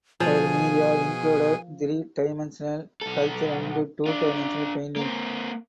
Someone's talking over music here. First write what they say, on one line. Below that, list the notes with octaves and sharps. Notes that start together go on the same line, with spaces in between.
Her media included three dimensional sculpture and two dimensional painting.
B2 F3 G#4 G#5
B1 A4
D4 F4
A#3 C4